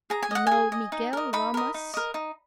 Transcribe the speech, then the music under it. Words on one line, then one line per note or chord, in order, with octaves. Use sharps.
You know Miguel Ramas?
G#4 A#5
G#5
D#5 F#5
G#4 G#5
D#5
D#4
A#4 D#5
D#4 B5
A#4 D#5
D#4
A#4 D#5
D#4